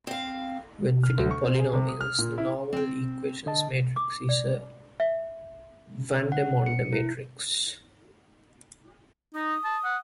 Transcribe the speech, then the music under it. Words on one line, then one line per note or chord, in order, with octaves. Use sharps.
When fitting polynomials the normal equations matrix is a Vandermonde matrix.
C4 F5
F6
D2
C#6
C4
G#4
C3
D#6
F6
A#2
E4
C4 G5
D3 D#5 A5
D6
D5
E5
F#5
C#7
E4
D#4 D#6
A5
F#5